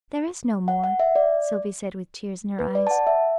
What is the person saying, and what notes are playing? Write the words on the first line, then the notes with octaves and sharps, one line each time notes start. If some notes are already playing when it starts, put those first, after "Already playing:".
"There is no more!", Sylvie said with tears in her eyes.
F#5
F#5
E5
D5
B4
D5
A5
F#5
E5